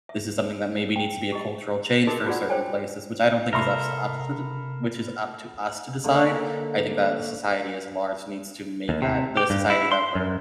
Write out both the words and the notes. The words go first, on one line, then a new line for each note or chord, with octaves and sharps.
this is something that maybe needs to be a cultural change for certain places, which I don't think is up to up to de which is up to us to decide. I think that the society as a large needs to make that the society that we're
E5
G5
G4 D#5
D#4 F#4 G#4 A#4 D#5
F4 F#4 G#4 D5 F#5
G#4 C5 C#5 G5 G#5
C3 A4 A#4 E5 B5 C6
D3 A#3 C#5 D#5
D#2
C3
G4
G2
E4
C6
F#2